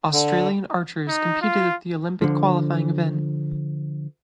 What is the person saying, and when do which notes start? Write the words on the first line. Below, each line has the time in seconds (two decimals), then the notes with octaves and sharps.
Australian archers competed at the Olympic qualifying event.
0.13 D3
1.08 D#4
1.41 F4
2.22 D3 F3